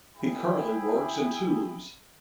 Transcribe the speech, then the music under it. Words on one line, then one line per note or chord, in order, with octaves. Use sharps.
He currently works in Toulouse.
E4 G#4 E5 G5 G#5 B5